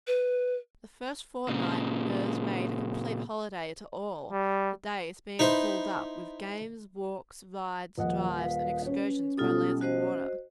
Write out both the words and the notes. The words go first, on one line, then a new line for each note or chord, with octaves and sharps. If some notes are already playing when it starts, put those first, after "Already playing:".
The first fortnight was made a complete holiday to all, the days being filled up with games, walks, rides, drives and excursions by land and water.
B4
A#2 C#3
G3
D#4 E4 B4 C5
D#1 F3 D#5 F#5
B4 F5
C#4 C#5
B1 G3 F4 A4 D#6
F#4 C5 D#5